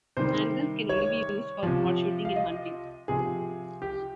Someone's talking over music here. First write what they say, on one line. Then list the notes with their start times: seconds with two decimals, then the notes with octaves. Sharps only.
Handguns can only be used for sport-shooting and hunting.
0.17 C3 D#3 G3 C5
0.89 C#5
1.63 C3 F3
2.25 F5
2.36 D#5
3.08 C3 F3 G#4
3.82 G4